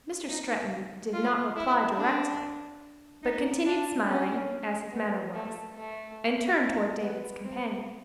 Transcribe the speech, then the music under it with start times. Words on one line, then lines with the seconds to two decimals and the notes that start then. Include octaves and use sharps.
Mr. Stretton did not reply directly, but continued smiling, as his manner was, and turned toward David's companion.
0.29 D#4
1.13 F4
1.56 E4
1.97 D4
3.23 D#4
3.66 D4
4.08 C#4
4.92 B3
5.34 A3
5.75 A3
7.02 B3
7.44 C4